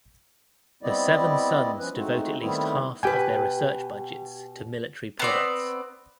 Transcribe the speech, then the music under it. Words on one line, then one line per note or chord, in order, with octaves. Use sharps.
The Seven Sons devote at least half of their research budgets to military products.
G3 B3 C4 E4 D5 D#5
F3 C#4 B4
G#3 A3 C4 D#4 F#4
D#3 G3 A3 B3 C4 E4
B2 G4 B4 G5 G#5
B3 C4 D5